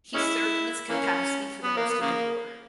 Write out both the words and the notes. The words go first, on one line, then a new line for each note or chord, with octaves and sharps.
He served in this capacity for the rest of the War.
G#3 C#4 E4
E3 A#3 C#4
B3
A#3
B3
C#3 A#3